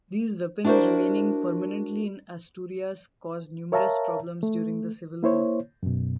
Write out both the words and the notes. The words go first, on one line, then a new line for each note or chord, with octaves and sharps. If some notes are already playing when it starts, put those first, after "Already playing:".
These weapons remaining permanently in Asturias caused numerous problems during the Civil War.
D4 E4 F#4 A#4 C5
A#4 C#5 E5 F5 A5 A#5
A3
A#3 E4 C5 C#5
F#2 B2